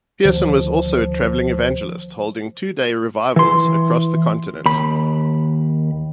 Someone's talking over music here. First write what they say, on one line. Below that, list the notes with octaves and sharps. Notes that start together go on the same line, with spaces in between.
Pearson was also a traveling evangelist, holding two-day revivals across the continent.
D2 D3 D#3 F3
E3 C6
D#2 B5